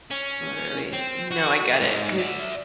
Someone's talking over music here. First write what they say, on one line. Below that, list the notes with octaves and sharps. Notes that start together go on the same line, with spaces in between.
Literally. No, I get it, 'cause
C#4
C4
F#4
G#2 G#3
D5 E5